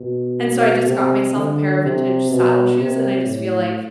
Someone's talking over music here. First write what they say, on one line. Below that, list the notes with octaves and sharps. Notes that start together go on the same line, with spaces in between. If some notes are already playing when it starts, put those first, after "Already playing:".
And so, I just got myself a pair of vintage saddle shoes, and I just feel like,
Already playing: B2
C3
D3
C3
B2
C3
A2